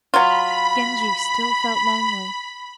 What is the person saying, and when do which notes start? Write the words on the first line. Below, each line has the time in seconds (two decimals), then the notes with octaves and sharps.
Genji still felt lonely.
0.14 F#3 F4 B5